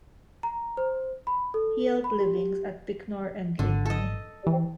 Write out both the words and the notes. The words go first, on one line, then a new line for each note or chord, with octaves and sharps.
He held livings at Bicknor and Lydney.
A#5
C5
B5
A4
B5
G4
G#1 D3
A4 D#5
E3